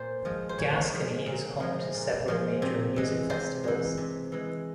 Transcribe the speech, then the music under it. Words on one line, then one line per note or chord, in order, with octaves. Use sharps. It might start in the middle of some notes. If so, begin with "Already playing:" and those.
Gascony is home to several major music festivals.
Already playing: A#2 C5
F3 G#3
C5
A#2 C#5
F3 G#3
A#2
F3 G#3
A#2
F3 G#3
C3
E3 G#3
C3 C5
E3 G#3
C3
E3 G#3